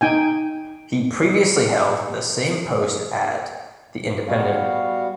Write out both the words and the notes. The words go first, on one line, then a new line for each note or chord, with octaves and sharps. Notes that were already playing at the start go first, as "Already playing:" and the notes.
He previously held the same post at "The Independent".
D#4 G5 G#5
G3 B3 F#4 F5